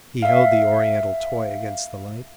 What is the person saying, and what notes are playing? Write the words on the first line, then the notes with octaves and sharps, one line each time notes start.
He held the oriental toy against the light.
E5 F5